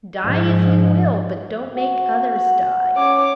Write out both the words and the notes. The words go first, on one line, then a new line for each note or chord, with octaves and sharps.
Die, if you will, but don't make others die.
G#2 F3
F#4
F#5
C#4 C#5 D6